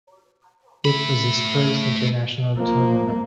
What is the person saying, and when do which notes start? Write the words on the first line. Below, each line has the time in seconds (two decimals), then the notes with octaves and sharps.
It was his first international tournament.
0.85 A3 B5
2.58 F3 A#3